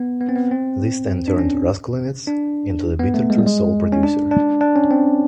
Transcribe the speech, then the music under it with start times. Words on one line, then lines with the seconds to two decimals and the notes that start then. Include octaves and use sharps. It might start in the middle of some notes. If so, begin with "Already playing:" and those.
This then turned Raskulinecz into "The Bitter Truth"s sole producer.
Already playing: B3
0.21 B3
0.29 C4
0.36 B3
0.51 C4
1.28 D4
1.39 C#4
2.27 D4
2.99 B3
3.14 A3
3.30 G#3
3.38 G3
3.46 G#3
3.92 C#4
4.03 D4
4.31 D4
4.61 D4
4.76 C#4
4.91 C4